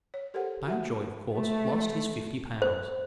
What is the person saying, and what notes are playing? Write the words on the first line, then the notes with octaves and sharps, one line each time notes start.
Mountjoy of course lost his fifty pounds.
C#5
G4 A4 A#4 C5 F#5
F#4 E5 F#5
A3
C5